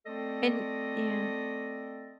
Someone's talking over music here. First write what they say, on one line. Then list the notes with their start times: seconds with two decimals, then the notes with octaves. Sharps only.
And yeah.
0.06 A3 C4 A4 D5 D#5